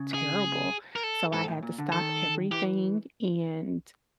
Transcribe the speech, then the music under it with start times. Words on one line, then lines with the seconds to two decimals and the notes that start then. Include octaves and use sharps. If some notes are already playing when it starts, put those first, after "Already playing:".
terrible, so I had to stop everything and,
Already playing: C#3
0.14 G#4
0.96 A#4
1.03 A4
1.33 G#2 A4
1.48 A2
1.63 A#2
1.78 D3
1.92 D#3 A4
2.51 E3 G4